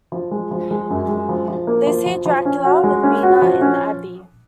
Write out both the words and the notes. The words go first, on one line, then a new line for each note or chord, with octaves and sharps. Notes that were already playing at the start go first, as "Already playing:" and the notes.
They see Dracula with Mina in the abbey.
F3
G#3
F3
G#3
F#2
G#3
F3
F3
A#3
F3
F3
F3
C#4
F#4
G#3
C#4
F#4
F3
C#4